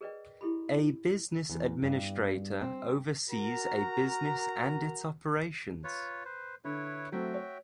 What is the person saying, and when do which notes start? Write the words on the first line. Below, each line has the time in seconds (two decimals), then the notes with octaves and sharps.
A business administrator oversees a business and its operations.
0.01 G#4 A#4 B4 D5 D#5 G5
0.41 E4 G4 A4 B5
1.50 E2
1.82 G2
2.61 C4
3.29 F#4 A#4 A#5
5.84 F4 B4 C#5
6.25 B4 C5
6.65 D3 E4 B4 C#5
7.12 F#3 A3 C4 F#4 E5 G5
7.34 C#5